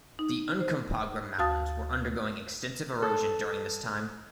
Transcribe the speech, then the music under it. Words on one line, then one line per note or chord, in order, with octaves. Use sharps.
The Uncompahgre Mountains were undergoing extensive erosion during this time.
D#4
C5
D2 F#4 F5 A5 D#6 A6
A4